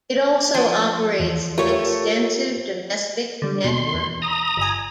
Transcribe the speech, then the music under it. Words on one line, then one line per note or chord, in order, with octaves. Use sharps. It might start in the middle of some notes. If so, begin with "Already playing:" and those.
It also operates an extensive domestic network.
F3
E2
A3 F4 G4 A#4 C#5
D3 G3
D#2 B2 C6
E2
A#5 D#6
G1 G#5